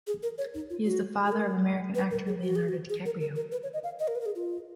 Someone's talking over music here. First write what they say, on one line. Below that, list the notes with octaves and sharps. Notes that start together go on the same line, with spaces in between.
He is the father of American actor Leonardo DiCaprio.
G#4
A#4
C#5
D#4
F4
F#4
G#4
A#4
B4
A#4
G#4
F#4
G#4
F#4
G#4
A#4
A#4
A#4
B4
C#5
D#5
F5
D#5
A#4
B4
A#4
G#4
F4